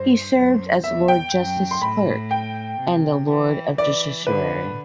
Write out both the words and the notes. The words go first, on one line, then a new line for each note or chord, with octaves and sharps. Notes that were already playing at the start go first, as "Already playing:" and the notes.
He served as Lord Justice Clerk and a Lord of Justiciary.
Already playing: G2 C5
F#2
E2 E5
G5
F#2
C6
A2 B5
G5
C3
E3
E3 D5
D3 B4